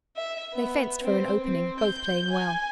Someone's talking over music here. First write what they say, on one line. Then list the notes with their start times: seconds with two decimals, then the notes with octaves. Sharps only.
They fenced for an opening, both playing well.
0.16 E5
0.53 B3
1.03 C4
1.42 C4
1.80 G6
2.31 G#5